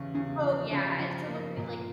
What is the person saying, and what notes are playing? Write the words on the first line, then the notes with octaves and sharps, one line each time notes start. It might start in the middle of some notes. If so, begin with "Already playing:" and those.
Oh, yeah, someone would be like
Already playing: E2 C#3
C#3
F3
C#3
F3
A#3
A#2